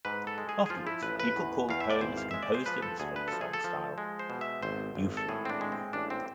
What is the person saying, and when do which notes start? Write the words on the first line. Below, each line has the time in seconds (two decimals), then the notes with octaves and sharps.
Afterwards, people called poems composed in this folk song style "yuefu".
0.05 G#2 B4
0.27 A4
0.38 G#3
0.49 G#4
0.66 G#4
0.70 F3 F4
0.87 E4
1.03 A1 B4
1.20 B4
1.36 E2
1.69 E2 F5
1.81 E5
1.90 D5
2.01 G#1 C5
2.17 F5
2.31 G#3 E5
2.43 D5
2.54 C5
2.66 F3 B4
2.82 A4
3.00 D2 G#4
3.16 B4
3.28 F3 A4
3.41 G#4
3.53 A4
3.64 F3
3.98 G#3
4.19 C5
4.30 B2
4.41 E5
4.62 G#1 C5
4.95 G#1
5.17 A4
5.29 A2 G#4
5.45 C4
5.50 D4
5.61 G#3
5.72 C4
5.93 A1 D4
6.10 C4